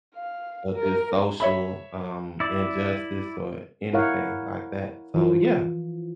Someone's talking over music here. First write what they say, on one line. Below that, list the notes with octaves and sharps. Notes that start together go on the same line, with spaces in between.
or the social, um, injustice or anything like that. So, yeah,
F5
A#4
C#5 E5 B5
E4 D5
E4 A#4 C#5 F5 F#5
E3 F3